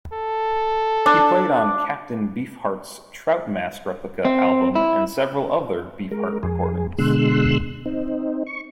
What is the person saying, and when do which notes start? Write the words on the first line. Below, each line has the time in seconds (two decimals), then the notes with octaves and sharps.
He played on Captain Beefheart's "Trout Mask Replica" album and several other Beefheart recordings.
0.13 A4
1.06 D4
4.25 C4
4.75 E4
6.11 G#3 A#4
6.43 F2 G#4
6.98 B2 D3 G#3 C6 E6 F#6
7.86 C4 D#4
8.47 C#6